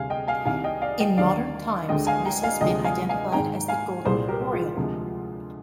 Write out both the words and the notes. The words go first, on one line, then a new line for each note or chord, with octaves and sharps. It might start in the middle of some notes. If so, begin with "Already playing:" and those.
In modern times this has been identified as the golden oriole.
Already playing: D2 C3 G3 F5 G#5
D#5 G5
F5 G#5
C2 C3 D#3 F5 G#5
D#5 G5
D5 F5
D#5 G5
D#2 D3 G3 D5 F5
D2 D3 G#3 D#5 G5
F5 G#5
G5 A#5
F5 G#5
D2 C3 F3 G#3 D#5 G5
F5 G#5
F5 G#5
G#2 D#3 G#3 G5 A#5
F5 G#5
C2 A#2 G3 G#4 C5
G4 A#4
F4 G#4
D2 C3 F3 G#3